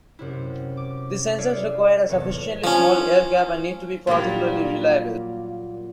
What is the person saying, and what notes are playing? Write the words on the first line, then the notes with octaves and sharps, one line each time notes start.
These sensors require a sufficiently small air gap and need to be particularly reliable.
F#2 C3 E4
D6
E4 G#4 C#5 D5 E5 F5
F1 E2 A2 C#5 A5 C#7
F3 C#4
A#2 F#3 G3 A#3